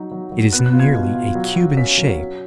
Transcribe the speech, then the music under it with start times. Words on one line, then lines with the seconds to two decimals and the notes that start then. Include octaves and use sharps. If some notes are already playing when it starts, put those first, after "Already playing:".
It is nearly a cube in shape.
Already playing: F#3 D#4
0.11 F#3
0.32 F#3
0.53 B3 F#6
0.66 F#6
0.73 F4
0.80 G#6
0.94 B2
1.14 F4
1.35 F#3
1.56 F#3
1.77 C#4 B6
1.98 F#3
2.19 C#4